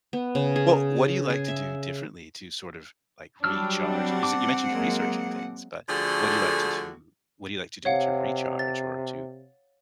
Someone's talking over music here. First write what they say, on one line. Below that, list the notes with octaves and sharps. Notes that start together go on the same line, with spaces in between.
Well, what do you like to do differently to sort of, like, recharge? You you sai you mentioned researching things, but what do you like to do what do you like to do to recharge or to
B3
C#3
G#4
G#4
E5
F#3 G3 D4 E6 F6
C4 F#5
A5 D6
F#3 G#3 A#3
D3 F3 G3 A3 F#4 G#4
C3 C#5 F5 F#5
A6